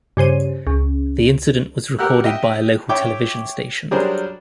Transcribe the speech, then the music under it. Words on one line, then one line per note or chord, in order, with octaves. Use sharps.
The incident was recorded by a local television station.
G2 C#3 C5 D#7
C#2
G4 A#4 F#5 E6 F#6
D#5 E5 G5
C#5 E5 G5 D6
F#3 G3 D4 G#4 A#4 C5